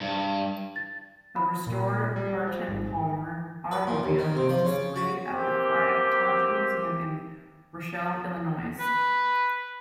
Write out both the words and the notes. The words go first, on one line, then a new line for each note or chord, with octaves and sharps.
A restored Partin-Palmer automobile is displayed at the Flagg Township Museum in Rochelle, Illinois.
G2
A6
B5
A#2
G3
F3
G#1
B4
A#2
D#2
D#3
C3
F3
C#3
F#4
A#3 C4 G4
B4